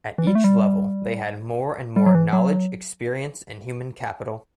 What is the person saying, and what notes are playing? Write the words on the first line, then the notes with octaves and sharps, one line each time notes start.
At each level they had more and more knowledge experience and human capital.
E3
G3
A3
G3
G3
F#3
E3
F#3